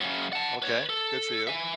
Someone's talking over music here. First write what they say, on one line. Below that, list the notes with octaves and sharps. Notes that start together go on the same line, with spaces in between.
Okay. Good for you.
F#2 C#3
F#5 A5
B4 C#5
A4
E5 G#5